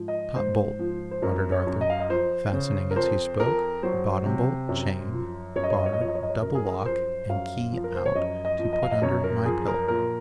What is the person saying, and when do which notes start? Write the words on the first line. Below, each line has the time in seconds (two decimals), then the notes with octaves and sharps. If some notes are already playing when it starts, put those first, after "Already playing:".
'Top bolt,' muttered Arthur, fastening as he spoke, 'bottom bolt, chain, bar, double lock, and key out to put under my pillow!
Already playing: G#2 F3
0.08 D#5
0.36 G#2 C5
0.79 F3
1.11 C5
1.22 F#2 A#4
1.52 C#5
1.67 F#2
1.81 D#5
1.90 F5
2.00 D#5
2.09 F3 C5
2.53 C#3
2.91 A#4
2.96 F2 C5
3.40 F2 A#4
3.83 F#3 C5
4.25 C3
4.69 F#2
5.13 F3
5.56 F#2 C#5
5.63 D#5
5.71 C#5
5.78 D#5
5.86 C#5
5.93 D#5
6.00 F3 C#5
6.08 D#5
6.15 C#5
6.23 D#5
6.29 C#5
6.42 F#2 A#4
6.55 G#4
6.66 A#4
6.86 F3 C5
7.29 F#2 F5
7.72 F3
7.84 A#4
7.95 C5
8.06 C#5
8.15 F#2 D#5
8.45 D#5
8.59 F3
8.73 D#5
8.83 F5
8.91 D#5
9.02 F#2 C#5
9.24 A#4
9.45 F3 G#4
9.68 A#4
9.88 A#2 A#4